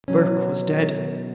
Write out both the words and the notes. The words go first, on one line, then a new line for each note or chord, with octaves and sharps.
Burke was dead!
B2 F#3 C#4